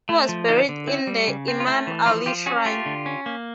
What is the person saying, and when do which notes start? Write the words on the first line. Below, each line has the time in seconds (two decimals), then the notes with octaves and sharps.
He was buried in the Imam Ali shrine.
0.09 A3
0.29 F3
0.48 D3 D#4 F4
0.69 D3
0.87 C4 E4
1.07 G3
1.27 C#3
1.48 C4
1.60 F4
1.67 A3 E4
1.87 E3
2.06 F3 D#4 F4
2.26 F3 F4 G4
2.46 C#4 F#4 G#4
2.65 A3 F4 G4
2.86 D3
3.06 C#4
3.26 A#3